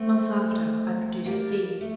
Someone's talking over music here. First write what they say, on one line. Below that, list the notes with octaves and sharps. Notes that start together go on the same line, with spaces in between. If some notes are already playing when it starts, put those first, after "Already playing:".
Months after I produced the key.
Already playing: A3 C4
G3 A#3
A3